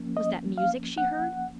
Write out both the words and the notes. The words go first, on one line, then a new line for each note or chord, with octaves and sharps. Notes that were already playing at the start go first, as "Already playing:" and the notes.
Was that music she heard?
Already playing: F3 A#3 C#4
D#5
F5
F#5